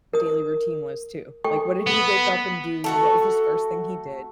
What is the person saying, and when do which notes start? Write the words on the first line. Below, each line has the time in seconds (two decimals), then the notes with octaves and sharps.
daily routine was too, like, what did he wake up and do, what was his first thing he did?
0.13 A#4 D#6
1.44 A4 G5 C#6
1.87 B3
2.84 A3 F#4 A4